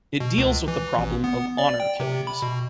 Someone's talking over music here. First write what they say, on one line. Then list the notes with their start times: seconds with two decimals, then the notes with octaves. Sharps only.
It deals with the problem of honour killings.
0.20 B2
0.38 C#2
0.68 E3
0.99 A1
1.24 B3
1.58 D5
1.80 G5
2.00 C3
2.27 B5
2.42 B2